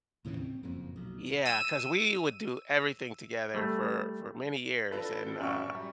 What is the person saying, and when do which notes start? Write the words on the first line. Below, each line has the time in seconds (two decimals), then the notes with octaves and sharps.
Yeah, 'cause we would do everything together for for many years and, uh,
0.25 D#2 A2 C#3 E3
0.37 C4
0.63 F#1 F2 A#2
0.96 B1
1.45 E6 D#7
3.54 G3 A3
4.92 D4 F4 A4 B4 A#6
5.39 A1 F#2 D5 E5 C#6
5.75 G3